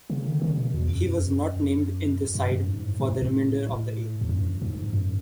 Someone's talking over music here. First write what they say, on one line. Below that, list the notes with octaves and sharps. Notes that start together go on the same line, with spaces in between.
He was not named in their side for the remainder of the year.
C#3
D#3
D#3
C#3
B2
E2
F#2
F#2
F#2
G#2
A2
A2
E2
F#2
G#2
F#2